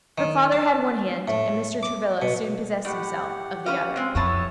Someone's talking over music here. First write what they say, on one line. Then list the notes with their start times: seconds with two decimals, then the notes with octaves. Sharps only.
Her father had one hand, and Mr. Travilla soon possessed himself of the other.
0.18 D#3
0.52 A5
1.28 A2
1.83 D6
2.22 B2
2.85 A2 G4 F#5
3.66 C#4 B4 F5
3.96 G#3 C4
4.15 F2 B3 E4 C#5 A5